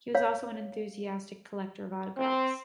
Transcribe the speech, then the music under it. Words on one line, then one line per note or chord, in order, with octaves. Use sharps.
He was also an enthusiastic collector of autographs.
C#5 F5
C4